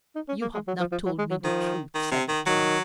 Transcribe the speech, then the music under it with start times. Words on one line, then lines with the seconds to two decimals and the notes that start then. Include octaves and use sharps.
"You have not told me the truth," said the King.
0.15 D#4
0.28 C#4
0.41 A#3
0.54 G#3
0.67 F#3
0.80 F3
0.92 F3
1.05 F#3
1.18 G#3
1.30 F#3
1.43 D#3 F3
1.95 D#3
2.11 C3
2.28 D#3
2.46 D#3 F#3